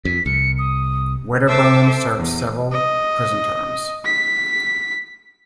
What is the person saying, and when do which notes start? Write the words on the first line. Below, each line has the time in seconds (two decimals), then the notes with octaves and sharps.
Wedderburn served several prison terms.
0.05 F2 B6
0.26 C2 C#7
0.59 D#6
1.47 A4 C5 E5 A5 D6 E6
2.17 E2
2.72 D#5
4.05 B6